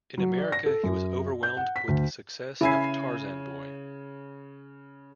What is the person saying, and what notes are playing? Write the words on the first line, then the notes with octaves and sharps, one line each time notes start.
In America, he was overwhelmed with the success of "Tarzan Boy".
F#3
D5
A#6
A4
F#2
G6
F#5
B6
D2
C#3 E4 G#5 C7